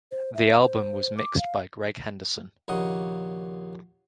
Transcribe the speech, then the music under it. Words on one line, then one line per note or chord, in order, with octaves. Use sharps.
The album was mixed by Greg Henderson.
C5
E5
C5
D6
F5
A#1 D#2 C#3 D#5 F#5